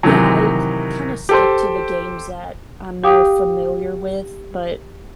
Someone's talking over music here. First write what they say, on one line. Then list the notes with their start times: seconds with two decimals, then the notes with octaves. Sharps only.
yeah, I kinda stick to the games that I'm more familiar with, but
0.03 C3 D#3 E3 F#3
1.29 G4 A4 C5
3.04 G4 F5 G5 D6 D#6